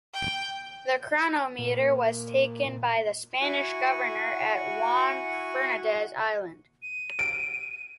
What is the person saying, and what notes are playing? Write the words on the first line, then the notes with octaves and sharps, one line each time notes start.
The chronometer was taken by the Spanish governor at Juan Fernandez Island.
G5
A#2
E4 F#4 F#5 G#5 C#6
D#7
D7